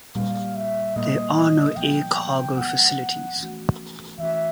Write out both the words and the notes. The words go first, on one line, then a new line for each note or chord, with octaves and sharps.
There are no air cargo facilities.
A#2 G3 A#3 F5
E5
A#2 G3 A#3 D#5
F3 G#3 B3 G5
F3 G#3 B3 F#5
E3 A3 C#4 F#4
E3 A3 C#4 F#4 E5